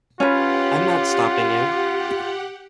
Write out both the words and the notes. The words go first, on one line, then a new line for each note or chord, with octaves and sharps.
I'm not stopping you!
C#4 F4 G4 B4 F#5